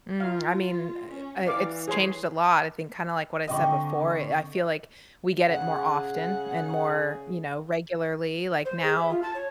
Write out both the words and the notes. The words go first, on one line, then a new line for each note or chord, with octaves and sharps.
Mm, I mean, uh, uh, it's changed a lot, I think kinda like what I said before, eh, I feel like we get it more often and more, you know, regularly. Like now,
F4 F5
C#4
E3 D5 F5 D6
G#4 C#5 C6
D3 C4 G4 D#5 F#5 C#6
C#3 G#4 F#5
C5
G#4
E5
F4
A5
C#5